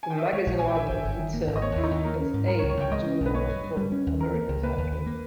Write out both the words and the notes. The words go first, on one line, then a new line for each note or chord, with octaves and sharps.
The magazine labels itself as A Journal from America's Heartland.
G#5
G5
E5
D#5
G#3 C#5
A#1
A#1 G#5
G5
D#3 E5
G1
G1
D#3
A#3
G#1
D#5
A#3 C#5
D#2 E4
D#4
D#2
A#3 A#4
C#4
G#2
G3 A#4
C#5
C#2
C#5
C#2 G5
G#3 D#5
C#4
B1
B4
A#3 C#5
G2
G2
G3
C#4
D#2
E3 A#4
A#3
C#2
A#3 B4
D#2
D#2
A#3